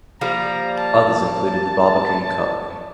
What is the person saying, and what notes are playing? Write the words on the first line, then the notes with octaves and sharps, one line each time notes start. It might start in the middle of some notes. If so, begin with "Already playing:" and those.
Others included the Barbican Cup.
F3 G3 A#3 A#5
A5